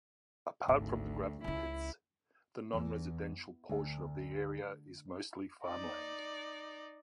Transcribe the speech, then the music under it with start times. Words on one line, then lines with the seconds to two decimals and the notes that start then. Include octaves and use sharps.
Apart from the gravel pits, the non-residential portion of the area is mostly farmland.
0.68 G#1 D2
1.44 C#2 C#4 E4
2.73 E2
3.69 D2
5.65 D#4 D5